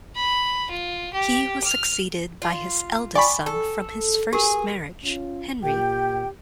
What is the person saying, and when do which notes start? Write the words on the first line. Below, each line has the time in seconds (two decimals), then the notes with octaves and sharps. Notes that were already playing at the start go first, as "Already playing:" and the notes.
He was succeeded by his eldest son from his first marriage, Henry.
0.16 B5
0.71 F4
1.14 G4
1.64 F6
2.42 F4
3.16 D5 G5 G#5 B5 C#6
3.46 A4
4.33 G4 G#4 A#4
5.04 C#4 F4
5.63 A#2 G4 G5